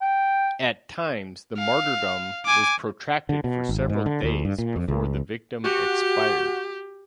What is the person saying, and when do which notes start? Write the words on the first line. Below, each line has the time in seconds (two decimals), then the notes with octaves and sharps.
At times the martyrdom was protracted for several days before the victim expired.
0.01 G5
1.58 F5
2.46 G#5 D6
3.29 D3
3.44 B2
3.69 G#1
3.90 G#2
4.06 D3
4.23 D2
4.45 G2
4.58 A#2
4.76 F2
4.88 C#2
5.64 F#4 G4